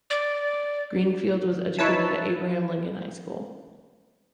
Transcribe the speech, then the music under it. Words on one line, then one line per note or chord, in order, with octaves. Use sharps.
Greenfield was educated at Abraham Lincoln High School.
D5
D#4 E4 B4 C#5 E5 A5